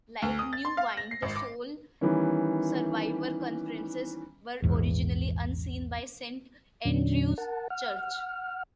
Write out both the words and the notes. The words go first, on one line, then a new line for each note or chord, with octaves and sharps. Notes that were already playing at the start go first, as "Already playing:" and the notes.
Like New Wine, the Soul Survivor conferences were originally overseen by Saint Andrew's Church.
D2
D#6
A6
C6
F5
A#6
C7
G#1
D6
D#3 E3 G3 B3 C#4
A#1 E2 G#2
E2 A#2 D3 F#3 C#4 D4
A#4 F#5 A5
F#5 F6